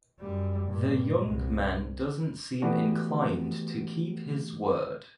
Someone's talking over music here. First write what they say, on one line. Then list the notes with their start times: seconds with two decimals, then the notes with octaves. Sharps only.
The young man doesn't seem inclined to keep his word.
0.19 F#2 G3
0.68 G2 A#2
1.24 C2
2.62 E3 A3 B3 D4 F#4 G4